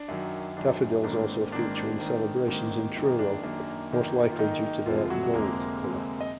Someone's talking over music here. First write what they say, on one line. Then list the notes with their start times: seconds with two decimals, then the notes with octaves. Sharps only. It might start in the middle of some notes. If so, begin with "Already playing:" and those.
Daffodils also feature in celebrations in Truro, most likely due to their 'gold' colour.
Already playing: D4
0.08 F#2 D#3 F#3
0.56 F#2 D#3 F#3 D4
1.04 G#1 G#2 D#3 A#3 D4
1.52 G#1 G#2 D#3 A#3 D4
1.76 D4
2.00 G#1 G#2 D#3 A#3
2.48 G#1 G#2 D#3 A#3
2.96 F#2 D#3 A#3
3.19 D4
3.43 F#2 D#3 A#3
3.91 F#2 D#3 A#3
4.32 F4
4.39 F#2 D#3 A#3 D#4
4.86 F1 F2 D3 F3 G#3 F4
5.10 F#3 F#4
5.34 F1 F2 D3 G#3 A#3 A#4
5.83 F1 F2 D3 G#3
6.21 D#5